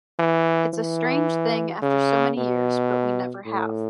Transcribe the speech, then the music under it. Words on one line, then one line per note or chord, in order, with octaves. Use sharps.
It's a strange thing after so many years but we never have.
E3
E3
C#3
B2
A2